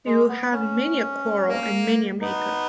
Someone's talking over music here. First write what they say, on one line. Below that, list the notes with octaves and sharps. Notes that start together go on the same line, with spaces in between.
You will have many a quarrel and many a makeup.
G#3
B3
C#4
A#3
B3 D#4